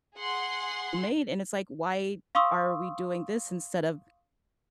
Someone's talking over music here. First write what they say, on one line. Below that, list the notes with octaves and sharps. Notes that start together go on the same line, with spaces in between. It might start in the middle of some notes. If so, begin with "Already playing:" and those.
made, and it's like, "Why are we doing this instead of
G#4 F#5 C6
F5 C6 C#6 D#6 E6